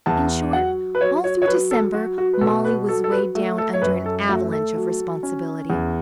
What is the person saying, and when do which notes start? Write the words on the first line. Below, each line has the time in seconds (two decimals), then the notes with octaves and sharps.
In short, all through December Mollie was weighed down under an avalanche of responsibility.
0.06 E2 A5
0.53 F#3 F#5
0.95 B4
1.00 F#3 C#5
1.24 C#5
1.42 C#5
1.47 F#3 B4
1.71 A4
1.94 F#3 F#4
2.18 F#4
2.33 B4
2.41 B2 A4
2.65 B4
2.88 F#3 A4
3.04 A4
3.12 B4
3.35 A3 F#4
3.58 A4
3.74 C#5
3.82 F#2 B4
4.06 A4
4.29 A3 F#4
4.52 A4
4.76 F#3
5.23 C#4
5.70 E2